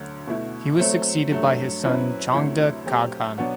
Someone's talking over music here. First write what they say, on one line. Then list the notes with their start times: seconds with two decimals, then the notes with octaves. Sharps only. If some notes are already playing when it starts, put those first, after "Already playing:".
He was succeeded by his son Chongde Qaghan.
Already playing: D2 D3 F#3
0.27 B2 A3 E4
0.79 F#3 A3 C4
1.31 G2 F#3 A3
1.83 F#2 F#3 C4 E4 B4
2.34 D2 C3 F#3 A3 E4
2.85 F#3 A3 C4 G4
3.38 B2 F#3 B3 D4 F#4